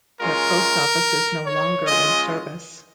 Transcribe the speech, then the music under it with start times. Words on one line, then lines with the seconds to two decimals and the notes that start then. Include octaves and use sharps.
Their post office is no longer in service.
0.20 G#3 C#4 F4 A#4
1.45 C#5
1.86 G#3 C#4 F4 D#5